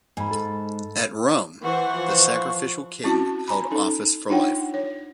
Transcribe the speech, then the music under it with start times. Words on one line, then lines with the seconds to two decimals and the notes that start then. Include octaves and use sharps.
At Rome, the Sacrificial King held office for life.
0.17 G#2 G#5 B5
0.31 A4
1.62 E3 C5 F#5 C#6
1.95 F3
3.04 C4 C#4 E4 F#4 A5
3.48 G#5 A#5 B5
3.71 C#4 D#4 A4
4.29 D4 D#4 F4 C#5 F#5 G5
4.74 C#5